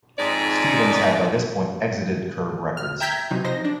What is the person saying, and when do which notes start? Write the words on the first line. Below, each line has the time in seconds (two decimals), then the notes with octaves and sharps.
Stevens had by this point exited Curb Records.
0.19 F2 G#2 D5
2.77 F6
3.00 E5 G5 A#5 G6 G#6 B6
3.31 C3 E3 F#3 D#4
3.44 C3 F3 D#4 C5 A#6
3.64 D4